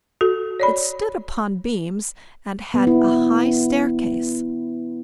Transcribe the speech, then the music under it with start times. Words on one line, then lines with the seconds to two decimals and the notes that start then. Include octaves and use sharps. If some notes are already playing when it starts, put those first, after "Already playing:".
It stood upon beams, and had a high staircase.
0.21 F#4 A4
0.60 C#5 D5 B5
2.74 B3
2.87 E4